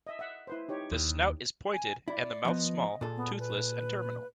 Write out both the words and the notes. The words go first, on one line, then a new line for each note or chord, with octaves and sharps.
The snout is pointed and the mouth small, toothless, and terminal.
D#5 E5
E5 F#5
E4 B4 C5
D#4 G4 C#5
D#2
G#5
E4 D5
F3 B3 D#5
A#2 G#4 A4
B3
B4